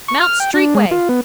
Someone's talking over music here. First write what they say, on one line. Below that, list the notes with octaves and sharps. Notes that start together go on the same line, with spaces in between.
Mount street way.
C#6
F6
G5
D4
G#3
F4
B3